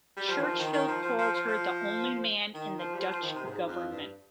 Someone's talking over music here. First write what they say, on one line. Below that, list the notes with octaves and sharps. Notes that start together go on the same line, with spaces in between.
Churchill called her "the only man in the Dutch government".
G3
F3
D#3
F3
D#3
D#3
F3
F3
F3
F3
F3
D#3
F3
G3
F3
F3
D#3
C3
G#2
F2
G2